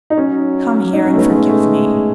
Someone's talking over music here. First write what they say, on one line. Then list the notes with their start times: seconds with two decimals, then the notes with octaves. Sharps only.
Come here and forgive me.'
0.10 D#4
0.17 F#3 C#4
0.93 D#4
1.05 C#4
1.13 A3
1.18 B3
1.30 G#3 B3
1.49 A3